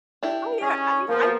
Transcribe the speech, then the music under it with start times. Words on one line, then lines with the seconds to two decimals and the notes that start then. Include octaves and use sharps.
Oh, yeah, I mean, I'm
0.23 D4 E4 G4
0.61 C#4 G#4 D#5
1.09 F3 A#3 B3 A#4